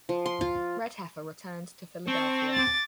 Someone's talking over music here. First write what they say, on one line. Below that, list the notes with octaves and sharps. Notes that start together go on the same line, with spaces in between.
Redheffer returned to Philadelphia.
F3
C6
F4
C4 A5 C#6
D6 A6